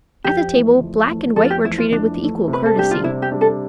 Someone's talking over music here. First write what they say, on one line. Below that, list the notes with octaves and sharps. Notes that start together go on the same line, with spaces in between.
At the table black and white were treated with equal courtesy.
F2 G4
E3 A3
F2
E3 A3
F2 A4
F4
G4
E3 A3 E4
F4
F2 D4
E3 A3
C3
B4
A4
G3 D4 G4
F4
C3 E4
G4
G3 D4
A4